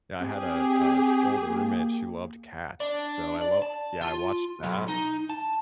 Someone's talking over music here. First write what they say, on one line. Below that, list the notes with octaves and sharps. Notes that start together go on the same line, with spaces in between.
yeah, I had a a old roommate, she loved Cats, so I lo yeah, I watched that.
C4 G4 G#4
A#3
D4
D5
A5
F4
B1
D#4
A5